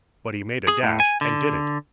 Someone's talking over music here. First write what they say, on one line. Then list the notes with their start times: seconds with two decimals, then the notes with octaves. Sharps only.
But he made a dash and did it.
0.68 G#4
0.83 A2
1.00 G#5
1.21 D3